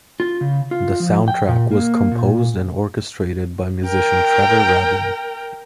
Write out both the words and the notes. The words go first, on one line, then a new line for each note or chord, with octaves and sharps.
The soundtrack was composed and orchestrated by musician Trevor Rabin.
F4
C#3
F4
F3
G5
A#2
A#3
A#2
A#4 G5